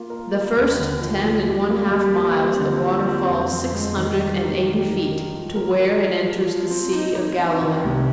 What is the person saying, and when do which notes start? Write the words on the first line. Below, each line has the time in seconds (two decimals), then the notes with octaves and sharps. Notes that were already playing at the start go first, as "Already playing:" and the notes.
The first ten and one-half miles the water falls six hundred and eighty feet to where it enters the Sea of Galilee.
Already playing: A#3 F4
0.10 A#4
0.33 A#4
0.56 D#2
0.79 D3
1.01 F3
1.25 F3
1.48 G3
1.69 A#3
1.92 G3
2.15 A#3
2.38 C4
2.60 D3
2.83 F3
3.07 C4
3.28 F2
3.51 F2
3.74 G#3
3.97 D#3
4.19 G3
4.43 D#3
4.66 D#3
4.88 D#3
5.11 A#4
5.34 F3
5.55 A#4
5.79 A#4
6.02 F3
6.25 F3
6.46 F3
6.70 C4
6.93 D#4
7.15 D#4
7.38 C4
7.61 D#3
7.84 C2